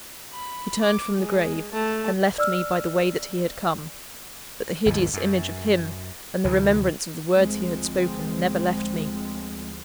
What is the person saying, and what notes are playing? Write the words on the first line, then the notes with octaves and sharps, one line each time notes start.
He turned from the grave, and left me by the way that he had come; but the hideous image of him, and the remembrance of the words he had spoken, never left me.
B5
D6
G#3
A3 A5
D5 E6 F6
G#1 D#2 G#2
F#2
D2 C3 E3
D2 F3 G#3 C4